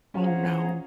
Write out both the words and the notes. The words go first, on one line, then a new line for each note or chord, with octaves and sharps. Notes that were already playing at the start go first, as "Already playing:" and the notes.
Oh, no.
C#4 F4 G#4 C5 F#5 A#5